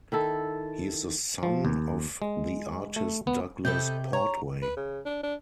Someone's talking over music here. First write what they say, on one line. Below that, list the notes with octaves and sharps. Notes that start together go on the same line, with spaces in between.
He is the son of the artist Douglas Portway.
D#3 E4 A4
F3
D#2
G#3
A3
B3
C3 A4 B4 D#5 G6
C#5 A#5
B4
C#3
D4
D4